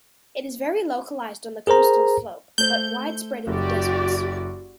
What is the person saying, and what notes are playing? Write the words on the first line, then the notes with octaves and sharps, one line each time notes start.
It is very localized on the coastal slope, but widespread in the deserts.
G#4 A#4 C5 A#5
A3 C5 G6
F#1 F#4 G4 D5